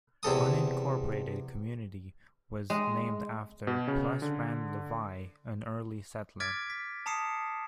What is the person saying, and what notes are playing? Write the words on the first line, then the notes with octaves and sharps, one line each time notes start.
The unincorporated community was named after Plus Rand Levi, an early settler.
E2 C3 A4 D#6
G#3
B2
C#3
D3
D6 F6 G#6 A6 B6 D7
B6
A5 A#5 D#6 C7 C#7 E7